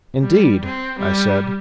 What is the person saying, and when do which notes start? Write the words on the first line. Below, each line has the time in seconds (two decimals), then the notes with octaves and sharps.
"Indeed," I said.
0.21 G3
0.65 C4
0.99 G3